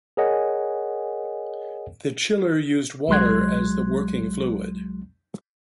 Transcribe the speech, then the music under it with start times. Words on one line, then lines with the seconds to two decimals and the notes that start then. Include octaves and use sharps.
The chiller used water as the working fluid.
0.17 G#4 A#4 C#5 D#5 F#5 G#5
3.08 C2 F#3 G#3 C6 F#6 G#6